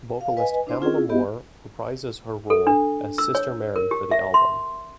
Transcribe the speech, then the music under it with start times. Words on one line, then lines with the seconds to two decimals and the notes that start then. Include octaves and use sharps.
Vocalist Pamela Moore reprises her role as Sister Mary for the album.
0.21 F5
0.37 B4 D#5 G#5
0.67 D4 E4 C5 C6
0.79 C4 C#4 F4 G#4
0.96 E4
1.09 B3 F#4 G4 D#5 E5
2.50 A4
2.67 D4
3.18 E6
3.35 C#5
3.76 A#4
3.91 G4
4.11 E5
4.34 C6